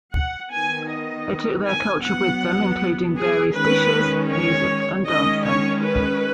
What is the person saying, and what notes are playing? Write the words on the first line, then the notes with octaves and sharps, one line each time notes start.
They took their culture with them, including various dishes, music and dancing.
F#5
D#3 B3 G#5
D#5
G#5
F#3 B3 F#5
G#4
D#3 G#3 C#4 B4
C#5
D#3 G#3 C#4 D#5
C#5
B4